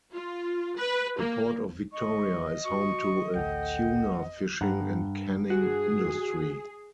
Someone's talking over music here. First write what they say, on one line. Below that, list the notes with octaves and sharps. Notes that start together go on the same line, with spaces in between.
The Port of Victoria is home to a tuna fishing and canning industry.
F4
B4
A#3
D#5 C#6
F#4 C#6
A1 D2 A4 F#5 G5
G2 F#5 A#5
F#4 G#4